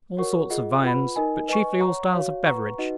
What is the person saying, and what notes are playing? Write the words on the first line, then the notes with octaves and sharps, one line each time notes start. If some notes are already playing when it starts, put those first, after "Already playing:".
All sorts of viands, but chiefly all styles of beverage.
F#4 A#4 C#5 F#5 C#6
F4 G#4 D#5 F#5
F4 B4 F#5 B5
D#4 A#4 D#5 G#5
B4 D#5 G#5 C#6
C#5 F#5 A#5 C#6
F#4 C#5 F5
B4 F#5 A#5 C#6
D#4 F#4 B4 D#5 F#5